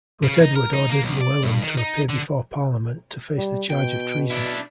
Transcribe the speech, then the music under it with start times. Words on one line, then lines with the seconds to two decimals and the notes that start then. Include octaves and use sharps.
But Edward ordered Llywelyn to appear before Parliament to face the charge of treason.
0.23 C#3
0.41 D#4
0.56 A#4
0.73 D#4
0.89 A#3
1.03 B1
1.21 D5
1.43 G2
1.62 D#3
1.77 D#4
2.09 D3
3.37 G3
3.70 B2 G5
4.30 D4 E4